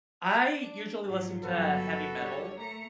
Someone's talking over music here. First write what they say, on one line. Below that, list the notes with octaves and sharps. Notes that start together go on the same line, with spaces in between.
I usually listen to heavy metal.
D4
G#2 F3 F#3
G1 F#3 F#4 A4 B4
D3 G3 C#5
A3 A#5 C#7